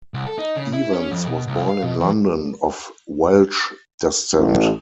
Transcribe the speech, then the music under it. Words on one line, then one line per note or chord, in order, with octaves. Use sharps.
Evans was born in London of Welsh descent.
C2
A4
D#4
C#3
E4
C#4
F2
B2
C2
F5
B2
E3
A1